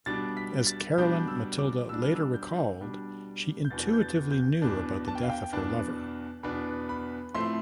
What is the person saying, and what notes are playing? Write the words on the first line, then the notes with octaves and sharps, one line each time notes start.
As Caroline Matilda later recalled, she intuitively knew about the death of her lover.
B2 G3 D4 A6
B6
A6
B2 G3 D4 G6
E6
D6
B2 G3 D4 E6
F6
E6
G6
B2 G3 D4
G6
E2 B2 B3 D4 A6
G6
A6
G6
E2 B2 B3 D4 A5
A5
G5
F5
G5
E2 B2 B3 D4 A5
E2 B2 B3 D4 B5
B5
A2 F3 A3 C4 C6